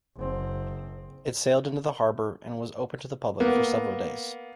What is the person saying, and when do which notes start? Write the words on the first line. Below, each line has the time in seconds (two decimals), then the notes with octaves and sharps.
It sailed into the harbour and was open to the public for several days.
0.17 F#1 C4
3.40 A#3 B3